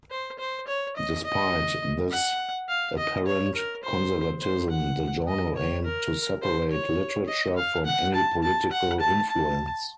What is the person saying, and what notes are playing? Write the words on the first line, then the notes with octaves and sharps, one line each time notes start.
Despite this apparent conservatism, the journal aimed to separate literature from any political influence.
C5
C5
C#5
D#5
D#5
F#5
F5
D#5
C#5
A#4
C5
C5
F#5
D#5
C#5
A#4
C5
C#5
D#5
F5
F#5
A5
A5
F#5
A5
A5